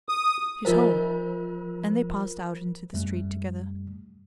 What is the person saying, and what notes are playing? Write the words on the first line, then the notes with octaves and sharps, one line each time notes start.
"She's home!" And they passed out into the street together.
D#6
F3 F4 A#4 C5
F#2 G3 A3